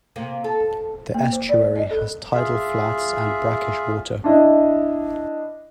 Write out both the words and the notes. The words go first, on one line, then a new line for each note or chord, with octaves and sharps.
The estuary has tidal flats and brackish water.
C3 A#3
A4
A#3
C5
D5
D#5
A4
F4 G#4 E5
D4 E4 D#5